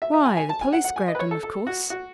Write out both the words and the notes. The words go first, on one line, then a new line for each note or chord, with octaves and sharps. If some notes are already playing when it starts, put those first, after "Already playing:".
'Why, the p'leece grabbed him, of course.
E5
E5
G#5
G#5
A5
G#5
F#5
F#5
G#5
D#5
B4
C#5
A4
A4
F#4
F#4